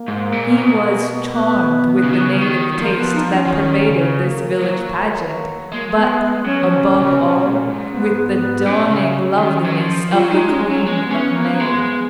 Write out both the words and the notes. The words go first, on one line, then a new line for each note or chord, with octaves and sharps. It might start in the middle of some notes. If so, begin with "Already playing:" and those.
He was charmed with the native taste that pervaded this village pageant, but, above all, with the dawning loveliness of the queen of May.
Already playing: A#3
G#2
A#2
B2
B3
C#3
D#3
C#3
D#3
F3 A#3
B3
D#4
C#4
F3
D#3
C#3
A#3
F#3
G#3 A#3
A#3
B3
B3
F#3 C#4
F3
A#2
C#3
B2
A#2
G#2
B3
B3
A#2 C#4
C#3
D#3
F#3
F3
F#3 F4
G#3 D#4
G#3 C#4
F#3 C#4
G#3 B3
C#4
B3
C#4
A#3
F#3
G#3